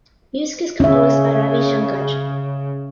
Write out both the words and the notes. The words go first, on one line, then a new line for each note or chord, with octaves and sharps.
Music is composed by Ravi Shankar.
C#3 C#4 E5